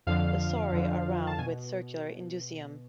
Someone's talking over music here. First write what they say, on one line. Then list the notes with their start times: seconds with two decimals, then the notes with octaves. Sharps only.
The sori are round, with a circular indusium.
0.07 F2 D3 F3 F5
0.72 F2 D3 F3
1.27 A5
1.39 B2 G#5